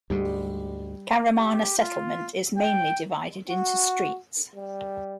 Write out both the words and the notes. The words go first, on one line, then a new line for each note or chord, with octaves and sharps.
Karamana settlement is mainly divided into streets.
D2 G#2 G3
G4
F4
G5
F#4
G3